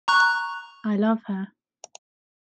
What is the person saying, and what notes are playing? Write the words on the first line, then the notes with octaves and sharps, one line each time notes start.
I love her.
A#5 C#6 F#6